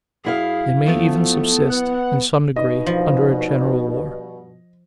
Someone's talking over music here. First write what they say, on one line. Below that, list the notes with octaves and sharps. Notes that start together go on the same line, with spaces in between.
They may even subsist, in some degree, under a general war.
F#2 E4 G#4 F5
F3 A3 B3
B4 F#5
G2 B2 D#4 D#5
F3